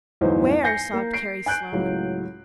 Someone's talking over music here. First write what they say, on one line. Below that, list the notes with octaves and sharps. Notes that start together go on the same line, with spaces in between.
"Where?" sobbed Carrie Sloane.
G1 E2 A2 F#3 D#4 C5
G#5 G6 A#6 C7 C#7
A#3
C7 D7
G#5 F#6 G6 D7
C#2 A2 F#3